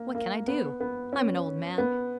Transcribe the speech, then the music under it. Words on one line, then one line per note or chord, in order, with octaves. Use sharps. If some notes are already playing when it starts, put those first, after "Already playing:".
What can I do? I'm an old man.
Already playing: A#3
A#3
B3
B3
C#4
B3